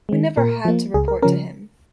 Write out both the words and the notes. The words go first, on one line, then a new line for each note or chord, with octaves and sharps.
We never had to report to him.
D#3 G#3
A#2 A#4
F3 A#3
C#2 G#4
A#4
C#3 F3 C#4 A#4